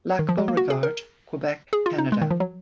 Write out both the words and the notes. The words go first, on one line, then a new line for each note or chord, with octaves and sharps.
Lac Beauregard, Quebec, Canada.
D#3
F3
G#3
A#3
F#4
G#4
A#4
G#4
F4
D#4
G#3
D#3
F3
F#3